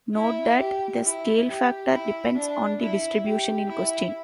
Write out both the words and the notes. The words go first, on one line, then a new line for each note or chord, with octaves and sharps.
Note that the scale factor depends on the distribution in question.
E4
G4
E4
G4
E4
D4
E4
G4
E4